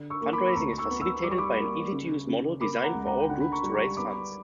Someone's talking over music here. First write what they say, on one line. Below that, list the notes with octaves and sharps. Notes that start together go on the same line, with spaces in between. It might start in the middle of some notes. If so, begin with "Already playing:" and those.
Fundraising is facilitated by an easy-to-use model designed for all groups to raise funds.
Already playing: D3
C#6 E6
A#3
B5 D6
D6
D2 A#5 C#6
C#6 E6
B3
C#6 E6
G3 D6
C#6
B5 D6
A#3
C#3
C#3
A#3 B5 D6
F#5 A#5
C#2
F#5 A#5
G5
D3 F#5
B5
A#5 C#6
G3
A#5 C#6
B3 B5 D6